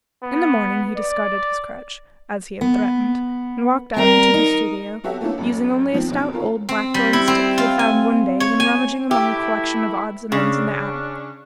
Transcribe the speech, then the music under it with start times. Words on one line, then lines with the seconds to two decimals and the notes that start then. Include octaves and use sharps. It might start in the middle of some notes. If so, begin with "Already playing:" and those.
In the morning he discarded his crutch, as he had threatened, and walked out to the studio, using only a stout old blackthorn stick he had found one day when rummaging among a collection of odds and ends in the attic.
0.23 B3
0.97 D5
2.61 B3
3.96 G3 C4 A#4
4.34 D#4
5.04 F#3 B3 F#4 G4 A4 E5
5.21 A3 A#3 C#4 D4 E4 A4
5.38 A1 F#2
5.93 D#3 F3 C4
6.08 F#1 F#2 B2 C4 D#4
6.33 C#4 F4 A4 A#4
6.69 C4
6.94 G3
7.13 E4
7.28 C4
7.58 F4
7.79 G#5
8.40 C#5
8.60 G#5
9.11 E3 A3 E4 G4
10.32 C#3 C#4 D4